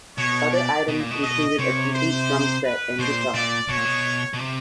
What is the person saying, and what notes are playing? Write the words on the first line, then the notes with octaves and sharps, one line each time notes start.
Other items included a complete drumset and guitar.
B2 C#5
D5
B2
A#2
B2
D#5
C3 C#5
C5
B4
B2 C5
A#2
A#2 D5
B2 C#5
A#2
B2
B2
C3